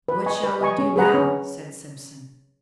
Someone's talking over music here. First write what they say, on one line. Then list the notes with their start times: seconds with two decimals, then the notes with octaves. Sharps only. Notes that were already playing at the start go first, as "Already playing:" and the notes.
"What shall we do now?" said Simpson.
0.08 B4
0.26 D#5 G#5 C#6
0.43 B4
0.61 D#5 G#5 C#6
0.78 C#4
0.96 G#4 B4 F#5 A#5
1.14 C#4